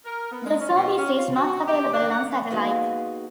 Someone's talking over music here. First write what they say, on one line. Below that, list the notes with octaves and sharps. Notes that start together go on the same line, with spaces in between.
The service is not available on satellite.
A#4
B3
G#3
C#4
B2
C#4
F4
F#4
G4
D4
F#5
A#3 B3 D#4 F#4 G#4 F5